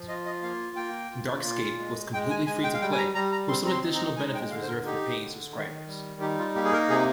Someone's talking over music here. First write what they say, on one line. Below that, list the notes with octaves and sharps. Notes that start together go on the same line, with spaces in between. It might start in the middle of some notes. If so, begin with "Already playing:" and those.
"DarkScape" was completely free to play, with some additional benefits reserved for paying subscribers.
Already playing: F3
F4 D#5
D#5
A#3 F5
A#3 G5
F4
A#2
G#3
G#3 G5
G#5
G#3 G#5
G5
F5
G3 G5
G#5
A#5
G3 A#5
A#5
C4 C6
A#5
C6
D#4
A#5
G#3 G#5
G5
D3 F5
C5
A#4
D#4 G4
D3
D#3
G3
D#4 G4
F4
A#3 G4
G#4
A#4
C3 G#4